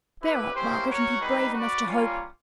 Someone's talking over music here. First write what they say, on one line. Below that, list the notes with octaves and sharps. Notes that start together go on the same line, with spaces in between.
Bear up, Margaret, and be brave enough to hope!'
E4 G4 B4
A#3 C#4 E4 G4 C5
F#4 A#4 C#5 F#5
G3 B3 D#4 G#4 B4
F#4 B4 D5
G3 A#3 C#4 F4